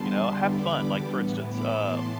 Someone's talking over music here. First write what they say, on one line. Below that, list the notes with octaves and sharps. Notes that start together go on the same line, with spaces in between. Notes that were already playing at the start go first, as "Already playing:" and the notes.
You know, have fun. Like, for instance, um,
Already playing: E2 D3 G3 B3 A5 C6
B5 D6
A2 E3 B3
B5 D6
A5 C6